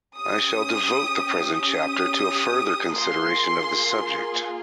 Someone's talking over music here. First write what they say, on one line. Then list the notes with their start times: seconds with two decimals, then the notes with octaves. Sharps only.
I shall devote the present chapter to a further consideration of the subject.
0.18 C#4 G4 D#6
1.56 D#6
2.95 A#3 F4 G#4 C6